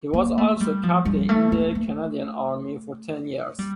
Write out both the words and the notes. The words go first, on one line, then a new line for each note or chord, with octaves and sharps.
He was also a Captain in the Canadian Army for ten years.
A#3
A3
G3
F3
G3
A3
A3
A3
G3